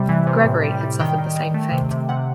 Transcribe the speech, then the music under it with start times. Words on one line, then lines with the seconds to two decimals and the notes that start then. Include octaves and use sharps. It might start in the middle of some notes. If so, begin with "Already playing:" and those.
"Gregory" had suffered the same fate.
Already playing: C3 G3
0.09 E3
0.27 C3
0.45 A2
0.64 G3
0.81 G3
1.00 D#3 G5
1.18 D#3
1.36 D#3
1.54 A3
1.72 C3
1.91 C3
2.09 C3 F#5